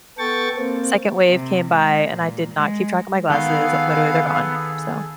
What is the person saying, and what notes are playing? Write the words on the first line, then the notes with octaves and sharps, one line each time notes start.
Second wave came by, and I did not keep track of my glasses, literally, they're gone. So
B3 A4 G5 C#6 A6
A#3 C4
C3
G#3
A#2
G#3
D#3 B3 G#4 A4 F5